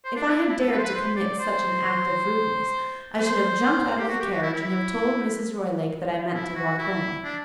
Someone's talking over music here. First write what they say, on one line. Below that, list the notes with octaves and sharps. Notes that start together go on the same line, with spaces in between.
If I had dared to commit such an act of rudeness, I should have jumped out of the carriage, and have told Mrs. Roylake that I meant to walk home.
C5
D4
E4
D4
E4
A4
B4
C5
B4
C5
D5
C5
C5
G4
F#4
G4
F#4
E4
E4
E4
F#4
E4
D4